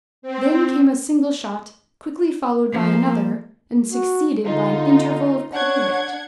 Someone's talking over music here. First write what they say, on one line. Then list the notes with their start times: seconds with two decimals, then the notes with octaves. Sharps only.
Then came a single shot, quickly followed by another, and succeeded by an interval of quiet.
0.22 C4
2.71 F3 A#3
3.90 F#4
4.44 D3 D#4 F4
5.53 D4 C#5 F#5 G#6